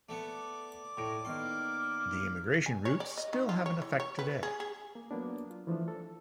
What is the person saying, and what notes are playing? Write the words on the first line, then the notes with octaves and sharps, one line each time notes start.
The immigration routes still have an effect today.
A3 B3 D5 D6
A2 C#6 A#6 D7
D#3 A#3 B3 D#5 C6
G#5
C#5
D5
D#5
D#3
F4
C#5
E3
C#5
B4
G#4
G#4
A#3
F#3 A#3 B3 D4
F4
E3 F3 A3 D4
A4